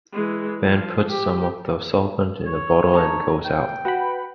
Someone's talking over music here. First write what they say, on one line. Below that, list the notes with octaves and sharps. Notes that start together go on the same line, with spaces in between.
Ben puts some of the solvent in a bottle and goes out.
E3 G#3
F3
G4
C#5
D#4 A5 A#5
G5
F#4 B4 F#5 B5